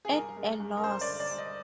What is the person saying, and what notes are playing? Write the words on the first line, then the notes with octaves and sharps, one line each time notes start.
At a loss.
G#4
G2 A#4
G#3
G2
A#4
G2 C5
D5
D3
D5
G2
D#5